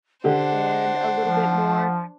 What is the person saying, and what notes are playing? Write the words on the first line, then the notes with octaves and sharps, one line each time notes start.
and a little bit more,
D3 D4 G4 C5 F#5
F3